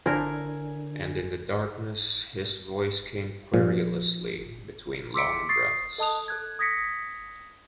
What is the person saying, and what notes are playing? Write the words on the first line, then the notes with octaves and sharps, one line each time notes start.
And in the darkness his voice came querulously between long breaths.
D3 D4 E4 F4 A#4 C5 G#5
A#2 F3
C6 D6 E6 B6 C#7 D7
C#6 D#6 A6 C7
A4 D#5 A5 D#6 F#6 F7
A4 F#6 G#6
D#6 G#6 A#6 B6 C#7